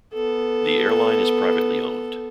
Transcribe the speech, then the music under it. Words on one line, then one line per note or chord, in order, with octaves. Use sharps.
The airline is privately owned.
B3 A4